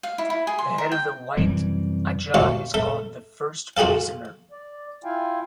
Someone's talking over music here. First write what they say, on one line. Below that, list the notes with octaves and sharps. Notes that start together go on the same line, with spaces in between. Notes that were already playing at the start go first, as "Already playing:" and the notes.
The head of the White Ajah is called the First Reasoner.
F5
E4
E4
G#4
C6
A#4
G5
F#2 C3 E3 G3
D2 F4 F5 C#6
A4 E5
F4 F#4 G#4 A4 F5
D5
E4 F4 F5 G5 G#5